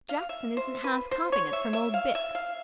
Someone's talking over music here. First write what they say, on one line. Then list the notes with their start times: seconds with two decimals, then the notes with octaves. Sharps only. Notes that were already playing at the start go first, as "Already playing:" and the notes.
'Jackson isn't half copping it from old Bick.'
0.09 F5
0.29 E5
0.57 C5
0.84 B4
1.11 C5
1.32 C#5
1.53 E5
1.73 E5
1.94 F5
2.15 E5
2.35 F5